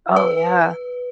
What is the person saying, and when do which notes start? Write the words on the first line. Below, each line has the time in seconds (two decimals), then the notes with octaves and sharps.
Oh, yeah.
0.16 B4